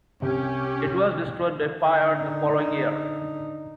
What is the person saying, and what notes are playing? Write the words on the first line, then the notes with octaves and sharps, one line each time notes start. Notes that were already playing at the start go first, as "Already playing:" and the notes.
It was destroyed by fire the following year.
C2 C#4 G4
D3 D#4